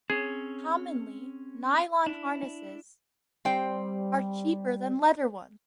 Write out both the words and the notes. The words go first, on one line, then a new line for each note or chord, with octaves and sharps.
Commonly, nylon harnesses are cheaper than leather ones.
C4 C#4 G#4 C#5
D4 E4
G3 C4 C5 G5